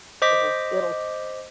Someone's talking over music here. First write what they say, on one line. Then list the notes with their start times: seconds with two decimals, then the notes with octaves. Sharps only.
It’ll it'll
0.22 C5 D#5 D6 B6